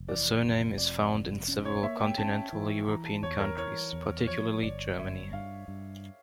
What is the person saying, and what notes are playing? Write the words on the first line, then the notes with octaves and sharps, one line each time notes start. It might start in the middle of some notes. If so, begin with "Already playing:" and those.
The surname is found in several continental European countries, particularly Germany.
Already playing: F1
E3 D5
F1
F2 D5
F1
C#4
C#5
A#3 E5
G5
C#4 A5
E3
E3 A#5
A5
E2 C#5
A#4
E3 C#5
E2
F3 C#5
G1 D5
G1 E5
G2 F5
G2